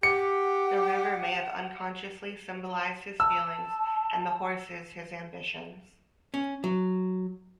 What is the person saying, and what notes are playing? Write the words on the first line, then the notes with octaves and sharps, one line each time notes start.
The river may have unconsciously symbolized his feelings and the horses his ambitions.
G4 F#5 C#7
A5 E6
C#4
F#3